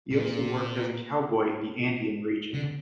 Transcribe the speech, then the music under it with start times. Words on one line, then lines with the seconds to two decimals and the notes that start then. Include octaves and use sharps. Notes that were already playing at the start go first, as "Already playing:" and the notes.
He also worked as a cowboy in the Andean region.
0.12 A#2
2.54 D3